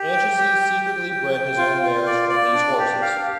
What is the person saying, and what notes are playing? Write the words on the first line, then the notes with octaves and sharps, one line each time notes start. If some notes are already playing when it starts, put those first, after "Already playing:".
Anchises secretly bred his own mares from these horses.
Already playing: G4
G5
G4
G5
G5
G5
G5
F4
F4
D5
D5
D4
G4
F5